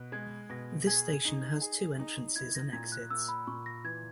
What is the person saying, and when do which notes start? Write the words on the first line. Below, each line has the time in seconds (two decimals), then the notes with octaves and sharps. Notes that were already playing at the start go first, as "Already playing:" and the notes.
This station has two entrances and exits.
Already playing: B2 F#6
0.12 G#3 G#6
0.50 B2 A#6
0.87 G#4 G#6
1.25 D#4
1.61 G#4
1.99 D#4
2.36 E4 G#6
2.55 A#6
2.73 A#2 G#6
2.92 F#6
3.10 A#3 E6
3.28 B5
3.47 A#2 C#6
3.66 A#6
3.84 E3 G#6